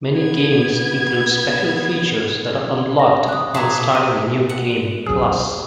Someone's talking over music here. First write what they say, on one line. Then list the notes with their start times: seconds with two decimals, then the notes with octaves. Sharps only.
Many games include special features that are unlocked upon starting a New Game Plus.
0.16 B3 G#6
2.99 A#6
3.28 D#6 F#6
3.54 A#2 G#4 F5 A5 A#5
3.91 D#6 D#7
4.49 F#5
5.06 F#2 C3 F#3 G#4